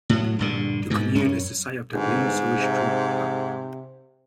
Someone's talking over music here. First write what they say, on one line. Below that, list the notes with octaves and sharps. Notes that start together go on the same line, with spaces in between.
The commune is the site of the Glina sewage treatment plant.
A2 F#3
A#1 G2 D3
G#2 B2
F#2 C#4
G1 G#2
C3